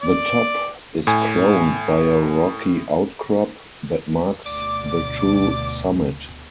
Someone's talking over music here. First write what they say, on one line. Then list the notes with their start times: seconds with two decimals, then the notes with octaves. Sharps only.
The top is crowned by a rocky outcrop that marks the true summit.
0.01 D5
1.07 A2 G#5
4.46 D2 B2 D5 D6